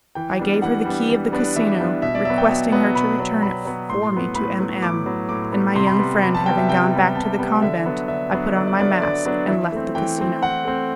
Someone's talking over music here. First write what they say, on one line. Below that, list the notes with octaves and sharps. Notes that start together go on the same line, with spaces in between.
I gave her the key of the casino, requesting her to return it for me to M---- M----, and my young friend having gone back to the convent, I put on my mask and left the casino.
E3 G5
G3 B3 D4
E3 F#5
G3 B3 D4
E3
G3 B3 D4
E3 E5
G3 B3 D4
B2 E5
D5
F#3 B3 E5
G5
B2
F#3 B3
B2 B5
F#3 B3
B2 B5
F#3 B3
A2 C6
F#3 B3
A2 B5
F#3 B3
A2 D6
F#3 B3
A2 D6
F#3 B3
C3 C6
B5
G3 B3 C6
C3 B5
A5
G3 B3 G5
E5
C3 G5
G3 B3
C3 A5
G3 B3
D3 E5
F#3 B3 D4
D3 E5
F#3 B3 D4
D3 D5
D5
F#3 B3 D4 D5
E5
D3 D5
F#3 B3 D4
E3 E5
A3 C4
E3 G5
A3 C4
E3 F#5
A3 C4